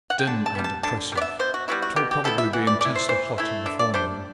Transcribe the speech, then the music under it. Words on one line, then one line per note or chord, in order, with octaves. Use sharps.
'Dim and oppressive; it will probably be intensely hot in the forenoon.'
F#5
G5
D3 A5
A5
G3 B3
A5
D3 A5
G3
B3 D5
E5
B2 C5
F#4
G3 B3 E4 F#4
F#4
B2 G4
G4
G3 B3 E4 A4
E5
E3 F#5
D5
A3 E4 D5
C5
E3 C5
A3 E4 E5
D3 E5
D5
G3 D4 C5